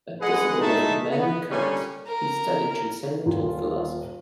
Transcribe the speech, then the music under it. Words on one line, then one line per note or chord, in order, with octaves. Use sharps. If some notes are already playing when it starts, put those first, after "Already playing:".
A disciple of Immanuel Kant, he studied transcendental philosophy.
G#3 G#4 B4 D#5 F#5
A2 G#3 D#4 F#4 E5 A5
B3
A#2 D3 G3 C#4
A#4
D#1 F4